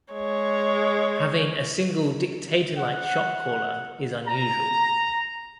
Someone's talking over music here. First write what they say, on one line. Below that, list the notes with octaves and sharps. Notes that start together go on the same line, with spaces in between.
Having a single dictator-like shot caller is unusual.
G#3 C#5
F#5
A#5